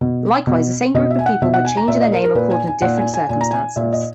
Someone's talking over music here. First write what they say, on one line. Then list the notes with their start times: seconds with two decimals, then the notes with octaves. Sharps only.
Likewise the same group of people would change their name according to different circumstances.
0.01 B2
0.47 B2
0.94 B2 D#5
1.10 E5
1.19 G#5
1.26 F#5
1.42 B2 E5
1.54 F#5
1.65 G#5
1.77 A#5
1.88 A#2 E5
2.01 D#5
2.12 A#4
2.24 A#4
2.35 A#2 B4
2.51 G#5
2.67 G#5
2.82 A#2 F#5
2.97 G#5
3.14 G#5
3.29 A#2 G#5
3.41 A#5
3.51 G#5
3.76 A#2 E5
3.93 D#5